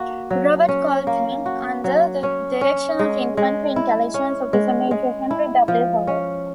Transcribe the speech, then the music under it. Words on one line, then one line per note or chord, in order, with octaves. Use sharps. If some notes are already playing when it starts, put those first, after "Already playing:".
Robert Colodny under the direction of Infantry Intelligence Officer Major Henry W. Hall.
Already playing: A#3 F#4
F#3
C#4
A#3
F#4
F#3
C#4
C#4
G#3
G#3
E4
C#4
G#3
G#3
E4
F3
C#4